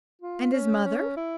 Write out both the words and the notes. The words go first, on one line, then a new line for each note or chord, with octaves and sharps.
"And his mother?"
F4
C#4
C#4
E4